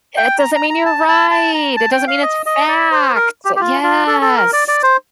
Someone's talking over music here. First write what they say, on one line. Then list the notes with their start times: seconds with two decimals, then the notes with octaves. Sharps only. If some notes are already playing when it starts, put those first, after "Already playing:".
It doesn't mean you're right, it doesn't mean it's fact, yes!
0.17 G5
0.39 A#5
0.55 A#5
0.70 A#5
0.86 A5
1.09 A5
1.31 A5
1.54 A#5
1.76 A5
1.92 G5
2.07 F5
2.23 D#5
2.46 D#5
2.68 D5
2.91 C5
3.15 A#4
3.45 G4
3.56 G4
3.61 F4
3.83 F4
4.07 A4
4.22 A4
4.37 A#4
4.53 D5
4.68 D5
4.83 C5